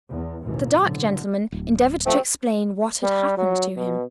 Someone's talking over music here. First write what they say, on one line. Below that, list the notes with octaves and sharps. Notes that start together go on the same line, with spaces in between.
The dark gentleman endeavored to explain what had happened to him.
E2
A1 D#2 B2 E3
F#1 B1 A2 D3
D1
F3 A3 C4
G3
F#3
B2